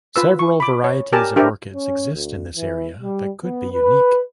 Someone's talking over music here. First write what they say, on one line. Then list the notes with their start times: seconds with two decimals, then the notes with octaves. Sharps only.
Several varieties of orchids exist in this area that could be unique.
0.16 F4 B4 E6
0.39 C#6
0.60 B5 D6
0.84 C#5
1.13 G4 A#4 G#5 A5
1.36 D4 G4 A#4 C5 E5
1.75 C#4
2.13 D2
2.57 E3
3.02 G3
3.44 B3
3.73 B4